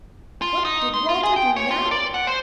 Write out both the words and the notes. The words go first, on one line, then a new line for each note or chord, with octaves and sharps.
What did Walter do now?
F4
D#4
C6
F4
G#4
G5
C#5
F4
D5
F#5
C5